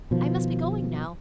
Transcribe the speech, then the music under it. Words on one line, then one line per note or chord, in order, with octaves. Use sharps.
I must be going now.
B2 D#3 F3